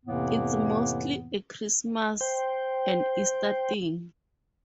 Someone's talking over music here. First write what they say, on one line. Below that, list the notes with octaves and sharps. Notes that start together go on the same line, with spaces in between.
It's mostly a Christmas and Easter thing.
F2 A2 C3 E3 A#3 B3
C5 G5